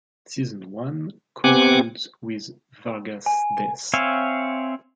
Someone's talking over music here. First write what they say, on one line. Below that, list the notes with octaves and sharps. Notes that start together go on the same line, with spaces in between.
Season one concludes with Vargas' death.
B3 C4 G4 F#5 G#5 D6
G#5
C4 C#5 E5 F5 G#5